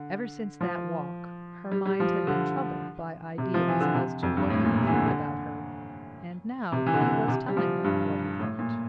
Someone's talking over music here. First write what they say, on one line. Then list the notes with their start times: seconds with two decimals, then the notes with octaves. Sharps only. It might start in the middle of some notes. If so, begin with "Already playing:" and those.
Ever since that walk her mind had been troubled by ideas as to what he would think about her, and now he was telling her what he thought.
Already playing: D3
0.61 F3
1.71 G3
1.85 G3
2.00 F3
2.27 D3
3.38 C3
3.54 F3
3.68 E3
3.80 D3
3.94 C3
4.23 F2
4.37 G2
4.50 A2
4.64 A#2
4.78 C3
4.87 E3
4.91 D3
5.06 D3
6.72 C3
6.86 E3
6.94 D3
7.01 C3
7.28 C3
7.48 G3
7.57 F3
7.84 G2
8.40 A2
8.59 A#2